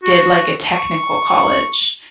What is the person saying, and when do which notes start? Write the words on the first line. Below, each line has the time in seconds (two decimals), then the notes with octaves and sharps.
did, like, a technical college.
0.03 F#4
0.73 C#6